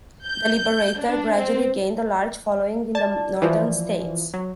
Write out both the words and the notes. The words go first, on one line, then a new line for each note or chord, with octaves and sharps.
"The Liberator" gradually gained a large following in the northern states.
G6
D4
C4
D5 A5
E3 F3
F#3